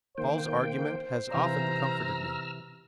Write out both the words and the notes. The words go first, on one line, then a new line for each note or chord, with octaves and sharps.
Paul's argument has often comforted me.
D#3 A#3 C5 G5
C3 E3 F5 A#5 E6 F6